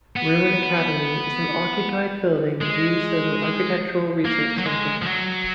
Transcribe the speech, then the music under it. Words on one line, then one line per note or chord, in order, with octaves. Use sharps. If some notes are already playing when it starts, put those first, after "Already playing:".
Ruin Academy is an occupied building used as an architectural research centre.
B3
G#3
A#3
F#3
G#3
F3
F#3